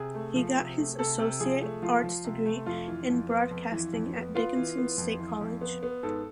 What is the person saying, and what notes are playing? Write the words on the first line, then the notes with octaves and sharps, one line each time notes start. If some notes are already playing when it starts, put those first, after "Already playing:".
He got his Associate Arts degree in broadcasting at Dickinson State College.
Already playing: C3 G#4
A3
F3
C3
A3
C3 A4
C3
F3 G#4
A3
F3 F4
F3
C3
A3
F2 F4
E3
F2
B3
F2
E3
F2
B3
B3 F4
E3
B3
F2
E3
F2
B3
B3
G#2 A4